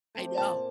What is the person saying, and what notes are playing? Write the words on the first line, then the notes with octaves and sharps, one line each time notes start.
I know.
A3 C4 G4
A#2 A5